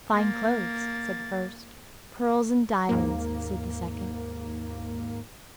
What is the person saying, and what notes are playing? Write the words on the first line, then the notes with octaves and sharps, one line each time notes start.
"Fine clothes," said the first: "Pearls and diamonds," said the second.
A#3 A6
D#2 G#2 A#3